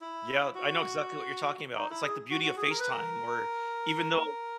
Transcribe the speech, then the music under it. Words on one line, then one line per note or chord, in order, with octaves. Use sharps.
Yeah, I know exactly what you're talking about. It's like the beauty of FaceTime, where even though
E4
F#4
D#4
E4
G#4
F#4
F#4
G#4
A#4
B4
A#4